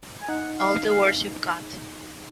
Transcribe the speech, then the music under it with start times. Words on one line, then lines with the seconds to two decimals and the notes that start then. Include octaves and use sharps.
All the words you've got.
0.22 G#5
0.28 D#4 F#5
0.59 D#4 F5
0.90 G#4 F5